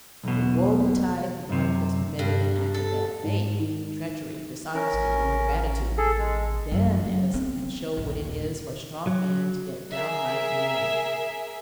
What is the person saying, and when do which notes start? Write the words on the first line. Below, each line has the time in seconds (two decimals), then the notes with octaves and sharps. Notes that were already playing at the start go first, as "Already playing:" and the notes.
But woe betide the one who has committed an act of bad faith, treachery, dishonesty, or ingratitude; THEN Edison can show what it is for a strong man to get downright mad.
0.24 B1 E2 B2
1.50 F#2 C3
2.19 G2
2.74 A4
3.23 G#2
3.59 D#3
4.75 C#4 A#4
4.93 A1
5.98 G#4 A4
6.19 G#3
6.72 F#2 D#3
7.04 F#3
7.33 B3 C4
7.97 A#1 D#2
8.42 D3
9.07 F#3
9.92 G#4 A#4 E5